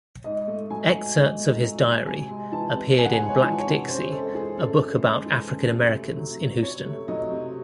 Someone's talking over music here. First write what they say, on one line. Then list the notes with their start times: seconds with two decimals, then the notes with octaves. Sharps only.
Excerpts of his diary appeared in "Black Dixie", a book about African-Americans in Houston.
0.24 G#2 D#5
0.47 A3
0.70 F#3 G#5
0.93 G#2
1.16 G#2
1.38 A3
1.61 F#3
1.84 G#2
2.07 C3 G#5
2.30 G#3
2.52 E3 A5
2.75 C3
2.98 C3 G#5
3.05 F#5
3.13 G#5
3.21 G#3
3.29 C#5
3.44 E3
3.59 C#5
3.67 C3
3.89 F#2 C5
4.12 G#3 A4
4.35 E3 G#4
4.57 F#2 A4
4.81 F#2
5.03 G#3
5.26 E3
5.49 F#2
5.72 C3
5.94 A3
6.17 F#3
6.40 C3
6.62 C3 C#5
6.85 A3
7.08 F#3 D#5
7.31 C3